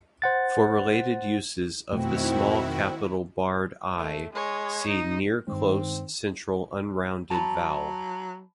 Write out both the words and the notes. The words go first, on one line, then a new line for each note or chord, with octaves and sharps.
For related uses of the small capital barred i, see near-close central unrounded vowel.
C5 F#5 A6
F2 B2 D#3 A3 C4 E4 F#4
A3
G#3 C#5
D#4
G2 D#3 G#3 C4
F#3 A5 B5